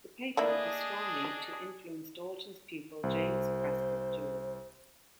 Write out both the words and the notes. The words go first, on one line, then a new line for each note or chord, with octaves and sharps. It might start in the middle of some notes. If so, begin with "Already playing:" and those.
The paper was strongly to influence Dalton's pupil James Prescott Joule.
A3 A#3 D4 E4 G#4 D5 D#5
C2 C5